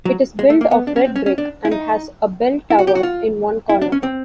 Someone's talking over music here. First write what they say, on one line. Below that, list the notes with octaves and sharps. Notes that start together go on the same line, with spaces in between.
It is built of red brick and has a bell tower in one corner.
F#3
G#3
A3
A#3
B3
D4
C#4
C4
C#4
C#4
D4
E4
D#4
E4
F#4
G4
F#4
F4
E4
D4
C#4
C4